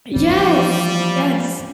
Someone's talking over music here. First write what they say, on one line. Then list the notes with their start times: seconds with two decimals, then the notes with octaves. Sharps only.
Yes. Yes.
0.16 E3 F3 G3 G#3 A#3